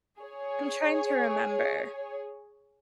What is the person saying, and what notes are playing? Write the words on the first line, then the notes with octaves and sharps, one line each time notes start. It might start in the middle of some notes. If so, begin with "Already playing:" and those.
I'm trying to remember.
G#4 C#5